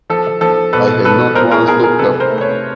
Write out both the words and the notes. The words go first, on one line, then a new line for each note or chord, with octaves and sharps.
I had not once looked up.
F3 A4
F3 A4
B2 A4 B4
B2 A4 B4
B2 A#4 C5
G#4 A#4
B3 G#4 A#4
G#4 A#4
C3 A4 B4
A#4 C5
A3
B4 C#5